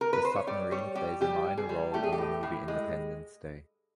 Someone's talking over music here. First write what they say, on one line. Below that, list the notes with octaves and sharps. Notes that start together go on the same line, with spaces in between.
The submarine plays a minor role in the movie Independence Day.
A#4
B4
C5
C#5
G3 D5
G3 C#5
G3 G4
G3 G4
G3
G#4
G3
A3 G4
G#4
G4
A2
A2
G#3